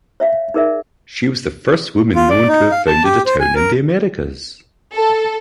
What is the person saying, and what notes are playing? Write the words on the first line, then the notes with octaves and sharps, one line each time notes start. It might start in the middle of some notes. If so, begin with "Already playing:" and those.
She was the first woman known to have founded a town in the Americas.
C#5 E5 F5
D#4 G#4 A#4 D5 E5
F4
D5
D#4
F5
A5
G4
C5
G#5
A#4
A4